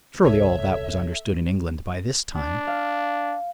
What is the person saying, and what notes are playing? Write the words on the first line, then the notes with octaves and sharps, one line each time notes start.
Surely all that was understood in England by this time.
D#1 C2 A4 C#5 E5
D4
F5